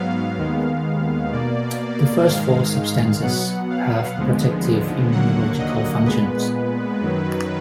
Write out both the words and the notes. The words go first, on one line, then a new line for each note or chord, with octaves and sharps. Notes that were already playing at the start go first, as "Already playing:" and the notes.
The first four substances have protective immunological functions.
Already playing: G#2 F#3 B3 F5
D#2 D#3 G#3 B3
B2 A#3 D5
G#2 D#3 G#3 F5
B2 F#3 B3 F#5
F5
D#2 D3 F3 G#3 B3
D#2 D3 F#3 A#3 F#5
D#5
A#2 G#3 B3 B4
F#2 D#3 F#3